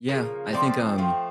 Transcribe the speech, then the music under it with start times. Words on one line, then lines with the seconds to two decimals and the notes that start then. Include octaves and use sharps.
Yeah, I think, um,
0.09 C#3 F3 A#3
0.53 F3 A3 C4 D5
0.98 F3 A3 C4